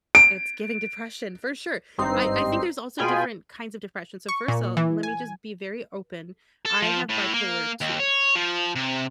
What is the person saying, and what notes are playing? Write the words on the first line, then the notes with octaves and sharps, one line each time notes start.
it's giving depression," for sure, I I think there's also different kinds of depression, so first of all, let me just be very open, I have bipolar II,
D7
G#1 G2 C4 D#4 C7
B2 F4 G#4 G5 G#5 B5
C#6
A#2
E3
G#5
A4
F3
A2
A#3
D#2
C#5
F3
C3